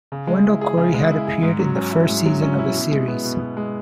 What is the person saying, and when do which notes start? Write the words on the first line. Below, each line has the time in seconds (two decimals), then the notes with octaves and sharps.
Wendell Corey had appeared in the first season of the series.
0.12 C#3
0.27 G#3
0.44 E4
0.61 G#4
0.77 C#3
0.94 G#3
1.11 E4
1.27 G#4
1.43 G#2
1.59 F#3
1.75 C#4
1.92 E4
2.09 G#2
2.26 F#3
2.42 C#4
2.59 E4
2.74 B2
2.92 G#3
3.08 B3
3.24 B2
3.41 B2
3.57 G#3